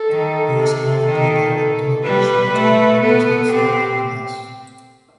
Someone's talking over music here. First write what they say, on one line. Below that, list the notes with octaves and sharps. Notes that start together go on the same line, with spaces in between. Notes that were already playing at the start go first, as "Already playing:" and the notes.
He is currently Director of Research Emeritus Outstanding Class.
Already playing: A4
D#3
C3 A4
D#3
A4
G3 B4
A3
B3 A4
C4 G4